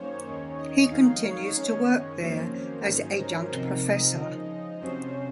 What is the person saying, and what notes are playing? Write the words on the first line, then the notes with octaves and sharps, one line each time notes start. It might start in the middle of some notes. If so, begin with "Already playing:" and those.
He continues to work there as Adjunct Professor.
Already playing: F#2 D#3 A#3 C#4 C5 C#5
D#2 D#3 G#3 C#4
D#5
F2 D#3 G#3 D#4 F5
C#5
F#2 D#3 G#3 C#4
C#5
F2 D#3 F#3 A#3 C#4 C5
G#2 D#3 F#3 C#4
A#4
C3 F3 C4 D#4
D#5
C#3 F3 G#3 D#4
F2 C3 F#3 C#4 C5